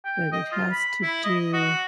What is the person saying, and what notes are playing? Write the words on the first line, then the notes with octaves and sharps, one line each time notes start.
But it has to do
G5
D#5
F4
B5
E4
D#5
F#4